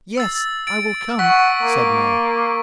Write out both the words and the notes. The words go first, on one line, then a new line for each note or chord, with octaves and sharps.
'Yes, I will come,' said Maia.
E6 A6
A6 D7
F#5 C#6 B6
A#3